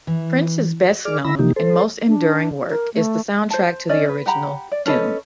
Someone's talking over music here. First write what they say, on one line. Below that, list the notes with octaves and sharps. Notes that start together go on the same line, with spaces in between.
Prince's best-known and most enduring work is the soundtrack to the original "Doom".
E3
G#4 D5 D6 F6
D3 E4 B5 E6 A#6
C3 E3 F3 A#3 D#4 G4
A4 C5
D4
A#4
A3
C5 A5
C#4 D5 D#5
B4
G4 F#5 A#5 B5
D5
C#4 A4 B4 D#5